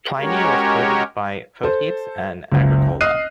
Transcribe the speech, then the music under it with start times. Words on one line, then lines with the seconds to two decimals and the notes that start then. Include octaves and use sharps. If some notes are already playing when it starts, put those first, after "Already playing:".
Pliny was quoted by Photius and Agricola.
0.19 G#3 C#4 F#4 G4 A#4 C#5
1.63 A4 C5
2.52 F#1 C#2
3.01 D#5 D#6 F6 F#6 C7 D#7